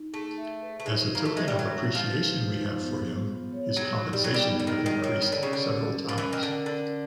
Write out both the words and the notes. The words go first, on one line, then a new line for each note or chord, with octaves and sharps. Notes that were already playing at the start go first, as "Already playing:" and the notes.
As a token of appreciation we have for him, his compensation have increased several times.
Already playing: D#4
A3 G#4
E5
B4
A3
G#3 D#4
A#3 E5
A3
G#3 E5
G3
F#3 G#4
G#4
F3
B4
D#4
D#4
B3
G#4
B3
C#5
F#3 G#4
D#4
G3
F#3 B3
G3
D#4
D3
D#3
G#4
D#3
C#5
D#3
D#3 C#5
D3
C#3 C#4
D3
C#4
A#4
F3
E3 C#4
D#3
D3 A#4
D3 C#4
A#4